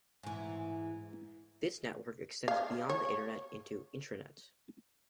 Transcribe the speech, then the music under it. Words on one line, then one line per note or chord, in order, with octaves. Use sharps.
This network extends beyond the Internet into Intranets.
G#2 E3
F5
C#5